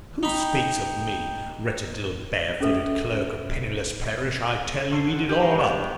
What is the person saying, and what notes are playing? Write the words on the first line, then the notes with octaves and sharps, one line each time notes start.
Who speaks of me? Wretched little barefooted clerk of Penniless Parish, I tell you, eat it all up!
D#4 G5 B5
C#4 G#4 A4 B4 E5
G#4 A4 C5 C#6
D#4 F#5
G4 G5 G#5 D#6
G2 E3 G#3 G5 A#5 C6 C#6
D#1 B3 D4 G#4 C#5 G5